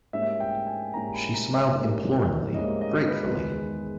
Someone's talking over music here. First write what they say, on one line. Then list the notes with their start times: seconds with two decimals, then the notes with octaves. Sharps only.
She smiled imploringly, gratefully.
0.13 G#2 G3 A#3 C#4 E4 E5
0.40 G5
0.67 G#5
0.94 G#2 G3 A#3 C#4 E4 A#5
1.14 B5
1.34 A#5
1.54 C#5
1.74 G#2 G3 A#3 C#4 E4
2.54 G#2 G3 A#3 C#4 E4 D#5
2.81 D#5
3.08 B4
3.34 E2 D#3 G#3